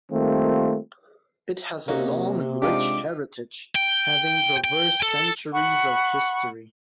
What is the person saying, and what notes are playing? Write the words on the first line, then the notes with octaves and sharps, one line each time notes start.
It has a long and rich heritage, having traversed centuries of history.
D#3 G3 A3 A#3 C4 F4
C3 A#3 C#4 D#4 F#4
G#3 D4 D#4 F4 G4 D6
G5
G5
A4
F#5 B5 C#6